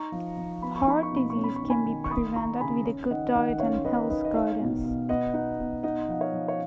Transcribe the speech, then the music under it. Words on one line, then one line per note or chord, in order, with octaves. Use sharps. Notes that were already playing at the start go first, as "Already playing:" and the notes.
Heart disease can be prevented with a good diet and health guidance.
Already playing: D#4 A#5 C#6
F3
F3
B3 B5
C#6
D#4 B5
C#6
B2 B5
C#6
C#4
B5
C#6
D#3
G#5 B5
D#3
C#6
A#3 B5 D#6
D#4 A#5 C#6
C#3 G#5 B5
C#4
D#3 D#5 F#5
D#3 D#5 F#5
C#4 C#5 F5
D#3 B4 D#5
D#3 B4 D#5
D#5
D#4 C#5 F5
B2
B2
B3 D#5 F#5
D#4 D#5 F#5
B2
D#4 D#5 F#5
F3 F#5
C#5 F5
F3
C#5